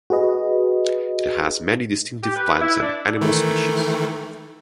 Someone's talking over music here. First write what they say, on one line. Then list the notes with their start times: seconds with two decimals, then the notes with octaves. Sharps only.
It has many distinctive plant and animal species.
0.10 F#4 G#4 B4 D#5
2.23 G4
2.36 B4
2.61 E4
2.82 D4
3.21 D#3 E3 A3